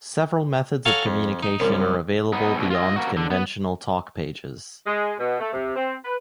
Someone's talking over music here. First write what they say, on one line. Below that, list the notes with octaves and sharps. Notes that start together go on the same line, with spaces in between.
Several methods of communication are available beyond conventional talk pages.
A4 C#5 F5 F#5 G#5 A#5
F2
D#4
C2 F#2
B3 D#4
C2 B2
F4 D#5
A#3 F#4
D3
B3
G#3
B2
A3
C3
C4
B4